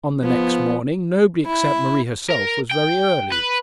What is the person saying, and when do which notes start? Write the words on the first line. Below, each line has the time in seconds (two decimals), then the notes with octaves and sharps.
On the next morning nobody except Marie herself was very early.
0.23 F3 B3
1.45 E4
2.30 A#4
2.71 G5
3.32 B4